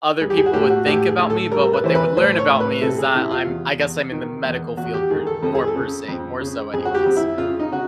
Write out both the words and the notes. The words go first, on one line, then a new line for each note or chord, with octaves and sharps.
other people would think about me, but what they would learn about me is that I'm I guess I'm in the medical field per more per se, more so anyways,
G3 G#4
G4
G#4
F#4
A2 G4
F#4
A2 G4
G#4
A2
A4
G3 A#4
B4
E3 C5
B4
A2 C5
C#5
A2
B4
C3 A4
G#4
C3 E4
F4
E2
E2
D#3
E2
E2 F#4
G4
D#3 G#4
A4
F2 A4
G#4
A4
C#3
F2
C#3
F2 G#4
F#4
G4
F2
E4
C#3 F4
D#4
C#3 F#4